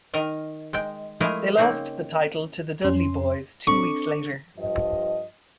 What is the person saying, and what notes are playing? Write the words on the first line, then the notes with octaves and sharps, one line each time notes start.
They lost the title to the Dudley Boyz two weeks later.
D#3 A#4 D#5
G#3 G5
F3 G#3 A3 E4 G#4 A#4
C#3 A#3 C4 D#4 C5
F2 C#4 C6
C4 D4 A4 C#6 D6
G2 F3 D#5